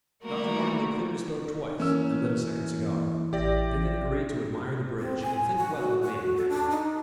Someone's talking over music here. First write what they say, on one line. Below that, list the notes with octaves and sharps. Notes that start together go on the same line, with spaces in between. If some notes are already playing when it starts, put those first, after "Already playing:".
Dr. Martineau cleared his throat twice and lit a second cigar. They then agreed to admire the bridge and think well of Maidenhead.
G3 A3 A#3 F#4 A#4
E3 A#3 C#4 A#4 E6
A1 G4 D5 E5 A#6
C4
G#5
F#4
F#4
A4
D4
D#4